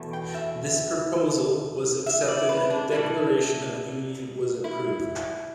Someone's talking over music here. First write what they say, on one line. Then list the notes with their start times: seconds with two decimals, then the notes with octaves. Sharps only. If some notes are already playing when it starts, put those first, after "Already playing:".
This proposal was accepted and a declaration of union was approved.
Already playing: E2 B2 A3
0.13 G5
0.35 E5
2.06 E5
2.28 D5
2.49 B4
2.70 D4
2.92 B2 G3 D4 E4
4.64 E4